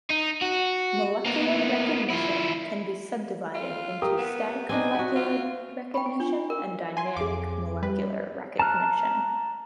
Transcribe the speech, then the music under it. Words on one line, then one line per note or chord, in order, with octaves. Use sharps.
Molecular recognition can be subdivided into "static molecular recognition" and "dynamic molecular recognition".
D#4
F#4
A#3 B3
F3 E4
F4
G4 A#4 D#6
B3
C4 D4 D#4 G#5
F#4 E5 F#5
F4
G5 B5 C#6
D7
D4 F4
A#4
G#5 C6
F2 G#4 D6
G3 B4
A5 A#5 F6 F#6